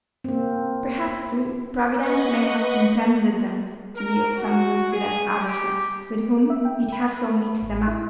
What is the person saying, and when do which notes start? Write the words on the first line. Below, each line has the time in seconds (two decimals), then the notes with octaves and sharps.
Perhaps, too, Providence may have intended them to be of some use to that other sex, with whom it has so mixed them up.
0.24 A#3 C4
1.96 B4 D#5 F#5 C#6
3.96 A#4
4.36 F#4
4.91 G#4
5.35 G4
6.50 E5
6.65 G5
6.92 B5
7.63 A1
7.88 E4